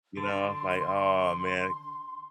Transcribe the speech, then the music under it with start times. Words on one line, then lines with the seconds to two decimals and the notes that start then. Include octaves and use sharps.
you know, like, aw, man
0.17 D3 C6